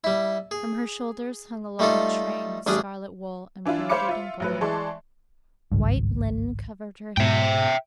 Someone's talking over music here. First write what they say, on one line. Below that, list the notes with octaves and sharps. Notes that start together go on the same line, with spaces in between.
From her shoulders hung a long train of scarlet wool embroidered in gold. White linen covered her head.
G3 E4
G#4
G3 A3 D#4 F4 A4
A1 G3 D4 G#4 D#6
E3 D4 E4 F4
C5 C#5 F5 B5 D6 C#7
F4 E5
A1 F#3 B4
E3 G#3 D5 A5 C6 C#6
G#1 C#2 G2
G#2 B2 E5 G5